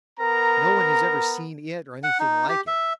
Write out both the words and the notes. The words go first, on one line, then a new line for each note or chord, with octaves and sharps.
No one has ever seen it or anything like it.
B3 A#4 A#5
F#5
D#4
G4
E5